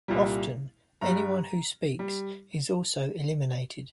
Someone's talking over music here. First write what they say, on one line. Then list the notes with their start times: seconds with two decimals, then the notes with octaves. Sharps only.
Often, anyone who speaks is also eliminated.
0.08 C2 A#2 G3
1.01 G2 G3 A#5
1.99 G3